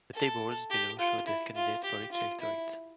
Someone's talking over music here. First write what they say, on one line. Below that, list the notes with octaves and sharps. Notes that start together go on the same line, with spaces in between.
The tables below show the candidates for each electorate.
A4
G4
F4
E4
F4
G4
F4
E4